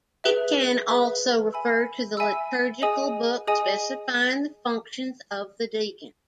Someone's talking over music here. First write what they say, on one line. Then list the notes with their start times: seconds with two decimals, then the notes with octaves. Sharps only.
It can also refer to the liturgical book specifying the functions of the deacon.
0.24 G#4 B4 E5
0.88 G#4 B4 E5
1.53 E5 G#5 B5 E6
2.17 E5 G#5 B5 E6
2.82 G#4 D#5 G#5 D#6
3.47 G#4 D#5 G#5 D#6